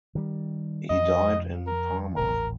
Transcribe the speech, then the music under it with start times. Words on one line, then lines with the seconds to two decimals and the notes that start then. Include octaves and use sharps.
He died in Parma.
0.15 D#3 G3
0.90 F2 D#5
1.67 A#4
2.16 D#1 A1 A#4